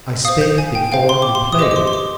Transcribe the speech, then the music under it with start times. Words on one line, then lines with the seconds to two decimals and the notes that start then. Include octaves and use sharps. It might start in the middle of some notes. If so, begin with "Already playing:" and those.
I spake before in play.
0.25 C5 F5 D#6
0.41 G6
0.58 G#5
0.75 G5
0.92 C5 F5 G5
1.09 C6
1.22 D6
1.35 C6
1.52 D#6
1.59 G4 C5 D#5 D6
1.71 D6
1.76 C6
1.87 C6
1.93 D6